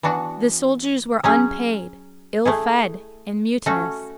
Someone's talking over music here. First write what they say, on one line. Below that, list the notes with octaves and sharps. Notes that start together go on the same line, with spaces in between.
The soldiers were unpaid, ill fed, and mutinous.
E3 B3 D4 F#4
F#3 C#4 G#4
A3 E4 G#4
A3 C#4 F#4